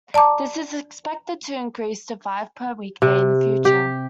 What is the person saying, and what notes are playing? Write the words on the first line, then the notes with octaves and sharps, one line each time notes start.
This is expected to increase to five per weekday in the future.
D5 A5 A#5 D6
C3
G4